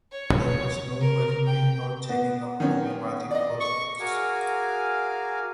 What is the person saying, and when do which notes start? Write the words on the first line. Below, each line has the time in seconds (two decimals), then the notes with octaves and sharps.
There was no wedding ring nor taking of commemorative photographs.
0.11 C#5
0.44 C#5
1.00 A#4
1.45 G5
2.09 B3
2.60 D#3 C#4
3.31 D5 D#5
3.60 C#6
3.99 F#4 G#4 A#4 F5 G#5 D6